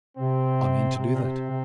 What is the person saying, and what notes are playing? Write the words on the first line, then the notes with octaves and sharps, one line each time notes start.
'I mean to do that.
C3 C4
C3 C4
A#2
C3
C3